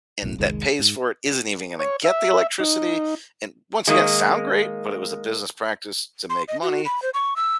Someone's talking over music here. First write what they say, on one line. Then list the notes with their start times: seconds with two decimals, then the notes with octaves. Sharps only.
and that pays for it isn't even gonna get the electricity and once again it sound great, but, it was a business practice to make money
0.22 D#1 B1 A2
0.38 F1 C2 D#3 G#3
0.79 G#2
1.79 C#5
2.04 E5
2.60 D#4
3.87 D#3 G#3 A#3
6.30 C6
6.48 D#5
6.63 F#4
6.85 B5
7.02 C5
7.14 C#6
7.36 E6